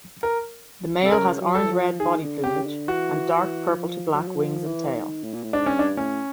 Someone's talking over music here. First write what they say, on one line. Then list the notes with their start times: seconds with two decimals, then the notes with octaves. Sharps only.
The male has orange-red body plumage, and dark purple to black wings and tail.
0.23 A#4
1.02 C3 A4
1.11 C#3 A#4
1.41 F#3
1.55 A4
1.66 E3
1.70 F3
2.00 D#3 G#4
2.22 D3
2.44 C#3 G4
2.66 D3
2.88 E3 F#4
3.72 F#3
3.76 F3
4.13 F#3
4.21 F3
4.28 F#3
4.35 F3
4.65 E3
4.94 D#3
5.24 A2
5.33 A#2
5.43 A2
5.53 G#2 D4
5.66 C#4
5.75 G2 D4
5.97 A2 C#4